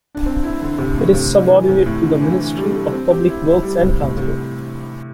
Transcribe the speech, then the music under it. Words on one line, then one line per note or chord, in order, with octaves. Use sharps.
It is subordinate to the Ministry of Public Works and Transport.
D4
C4
E4
D3
C3
A2
C3
E3
C3
A2
D3
E3
E3
G3
A3
C4
G4
E4
E4
G3
C3
A2
C3